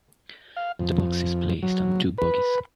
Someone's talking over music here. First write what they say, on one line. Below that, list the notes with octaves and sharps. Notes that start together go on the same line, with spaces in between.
The box is placed on two bogies.
F5
F2
F#3
B4